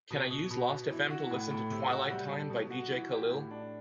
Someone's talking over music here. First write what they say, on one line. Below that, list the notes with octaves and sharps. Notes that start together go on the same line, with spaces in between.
Can i use Lastfm to listen to Twilight Time by Dj Khalil?
B2
B2
B2
B2
E3
F#4
A2
A2
C3
F#4
G3
A4
B2
F#4
E3
G4
A2
D4